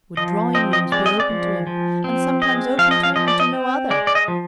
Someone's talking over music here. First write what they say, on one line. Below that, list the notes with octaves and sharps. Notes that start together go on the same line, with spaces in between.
Would drawing-rooms be opened to him, and sometimes opened to him and to no other?
F3 D#5
C4 D#5
D#5
G#3 D5
D#5
D5
F3
F3
C4
G#3 D#5
F3 F5
D#5
F5
F3 D#5
D5
D#5
C4
G#3 D5
D5
D#5
F3